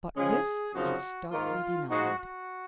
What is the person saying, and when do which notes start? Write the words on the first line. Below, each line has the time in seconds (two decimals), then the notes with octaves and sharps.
But this he stoutly denied.
0.16 C#3 F3 G#3 C#4 G#4
0.74 F#2 C#3 F3 C4 D#4 F#4
1.31 G#2 D#3 A#3 F4
1.89 G#2 F3 G#3 D#4 F#4
2.19 F#4